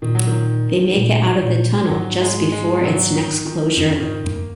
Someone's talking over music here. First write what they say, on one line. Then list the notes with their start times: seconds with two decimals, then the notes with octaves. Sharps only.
They make it out of the tunnel just before its next closure.
0.02 A#2 D#3
0.15 F#3
0.27 D#3
0.97 A#2
1.43 A#2
1.90 G#2 F#3
2.21 G#3
2.52 G#3
2.84 F#3
3.15 D#3
3.45 D#3
3.72 D#3
3.77 F#2 C#3
3.90 C#3
4.00 G#2 D#3
4.24 F#2 A#3